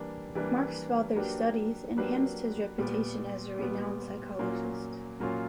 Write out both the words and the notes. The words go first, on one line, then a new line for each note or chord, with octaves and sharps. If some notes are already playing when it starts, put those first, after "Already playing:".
Mark's father's studies enhanced his reputation as a renowned psychologist.
Already playing: E3 G3 A#3 D4
E3 G3 A#3 D4
F#3 A#3 D4 G4 B4
F#3 A#3 D4 G4 B4
A#2 G3 B3
A#2 G3 B3
A#2 F#3 A#3 C#4 F4
A#2 F#3 A#3 C#4 F4